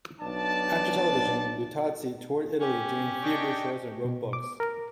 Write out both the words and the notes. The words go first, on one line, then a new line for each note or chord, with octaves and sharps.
After television, Luttazzi toured Italy doing theatre shows and wrote books.
B1 D4 D5 A5
C#4 G4
D4 D#5 G5 C#6
B2
D6
A#4